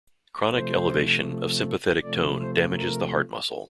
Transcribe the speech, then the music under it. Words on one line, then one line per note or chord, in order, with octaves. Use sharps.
Chronic elevation of sympathetic tone damages the heart muscle.
C3 F3 A3 C5
C3 F3 A3 D5
C5
A#4